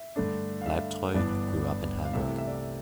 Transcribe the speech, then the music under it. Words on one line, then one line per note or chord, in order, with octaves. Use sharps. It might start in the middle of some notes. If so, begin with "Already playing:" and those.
Bleibtreu grew up in Hamburg.
Already playing: E5
G2 D3 A3 D4
F5
E5
G1 G2 E3 B3 D4 D5
F5
C2 C3 E3 A3 E5
E5
D5
E5